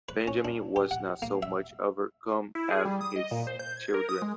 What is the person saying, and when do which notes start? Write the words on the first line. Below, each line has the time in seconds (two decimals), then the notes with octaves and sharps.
Benjamin was not so much overcome as his children.
0.09 B4
0.28 C#4
0.45 D4
0.76 G4
0.91 F#5
1.22 A#3
1.43 E5
2.55 E4
2.70 G#4
2.85 G3
3.01 D#6
3.16 D#5
3.31 A#2
3.47 C5
3.59 G6
3.77 G#6
3.94 A#4
4.09 D#6
4.22 G#3